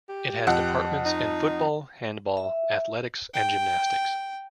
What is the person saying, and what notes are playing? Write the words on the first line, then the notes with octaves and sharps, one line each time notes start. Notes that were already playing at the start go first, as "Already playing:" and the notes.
It has departments in football, handball, athletics and gymnastics.
G4
F2 F#5 F#6
D#4
E5
G5